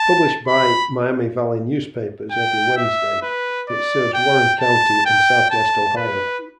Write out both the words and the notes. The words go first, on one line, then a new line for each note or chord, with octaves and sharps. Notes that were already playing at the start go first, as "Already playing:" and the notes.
Published by Miami Valley Newspapers every Wednesday, it serves Warren County and southwest Ohio.
Already playing: A5
B5
G5
E5
B4
D5
G5
A5
G5
A5
B4